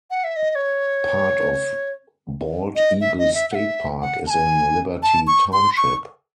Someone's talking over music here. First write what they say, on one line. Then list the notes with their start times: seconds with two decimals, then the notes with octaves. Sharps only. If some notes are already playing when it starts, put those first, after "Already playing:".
Part of Bald Eagle State Park is in Liberty Township.
0.10 F#5
0.24 E5
0.36 D#5
0.50 D#5
0.55 C#5
2.76 D#5
3.01 E5
3.19 D#5
3.34 E5
3.52 F#5
3.55 E5
4.02 F#5
4.27 A5
4.30 G#5
5.03 A5
5.27 C#6
5.53 C6
5.77 C#6